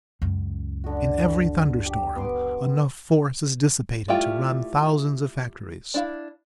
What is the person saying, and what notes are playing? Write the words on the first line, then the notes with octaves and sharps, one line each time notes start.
In every thunder-storm enough force is dissipated to run thousands of factories.
C#2 F#2
D3 F#4
G4
B3 C6 D6
G3 A3 E4 F4 G5
D4 E4 F5